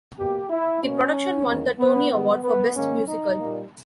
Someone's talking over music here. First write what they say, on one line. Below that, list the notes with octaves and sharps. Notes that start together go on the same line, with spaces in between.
The production won the Tony Award for Best Musical.
B2 A#3 G4
E4
B2 A#3 C#4
E2 D#3 A#3
B3
G#2 D#3 G3 B3
B3
G#2 D#3 A#3 C#4
D#4
A#2 G3 A#3